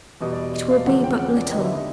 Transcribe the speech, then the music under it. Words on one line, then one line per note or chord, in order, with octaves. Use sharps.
It will be but little.'
E2 B2 G3 B3 D#5
D5
D#5
D#5
F5
E2 C#3 F3 G#3 C#4 F#5
G5
F#5
D5
D3 G3 B3 D#4 D#5
E5
D#5